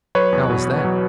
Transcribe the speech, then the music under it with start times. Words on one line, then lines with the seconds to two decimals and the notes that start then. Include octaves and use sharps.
"How was that?"
0.15 F#3 B4 C#5
0.32 E2
0.50 B2
0.67 E2
0.84 F#3